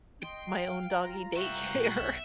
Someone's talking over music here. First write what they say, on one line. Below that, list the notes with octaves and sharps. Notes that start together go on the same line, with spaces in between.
m my own doggy daycare.
D#5 G5 C6
F5
F4 A#5
C2 E5 F#5 G5 C#6
A#2 F3
B1 E5